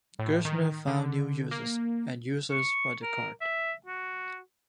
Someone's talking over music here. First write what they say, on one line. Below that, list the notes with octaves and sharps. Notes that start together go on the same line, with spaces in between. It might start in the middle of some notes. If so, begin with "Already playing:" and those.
Gerstner found new uses and users for the card.
A2
D#3
D3
A#3
C#6
A#4
E5
F#4